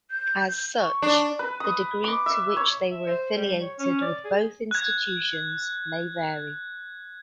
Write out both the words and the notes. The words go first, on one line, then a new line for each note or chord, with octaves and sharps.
As such, the degree to which they were affiliated with both institutions may vary.
G6
C#6
D4
B4
D#6
D6
E5
C#5
E5
C5
G3
C#5
C#4
D5
G#4
F#6 G#6